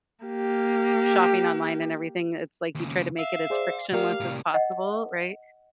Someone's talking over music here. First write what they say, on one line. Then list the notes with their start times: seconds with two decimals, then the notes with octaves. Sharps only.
shopping online and everything, it's, like, you try to make it as frictionless as possible, right?
0.24 A#3 G4
2.75 D#2 C#3
3.19 E5 F5
3.50 G#4 C5 D5
3.93 A3 G4 A#4 D5 F5 F#5
4.20 A2 C3
4.54 D#5 F#5